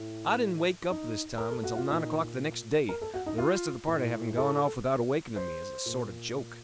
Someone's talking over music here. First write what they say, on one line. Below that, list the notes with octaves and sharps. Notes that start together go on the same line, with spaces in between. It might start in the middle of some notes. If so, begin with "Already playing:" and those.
I didn't wake up this time until nine o'clock the next day, the rest of the party having gone off without awakening me, as a sort of joke.
Already playing: A2
D#4
A#4
A4
F#4
F4
A#2 D#4
A#4
A4
F#4
D#4
F4
A2
A4
C5
A#2